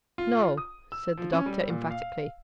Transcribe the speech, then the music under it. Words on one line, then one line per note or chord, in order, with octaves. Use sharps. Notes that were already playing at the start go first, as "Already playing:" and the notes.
"No," said the doctor emphatically.
F4
D#6
E6
F3
C#4
G3
A#2
F5